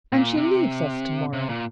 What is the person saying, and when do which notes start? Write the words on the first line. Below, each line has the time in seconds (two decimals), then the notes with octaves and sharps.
And she leaves us to-morrow.
0.12 A#2
0.37 C3
1.33 C3
1.49 A#2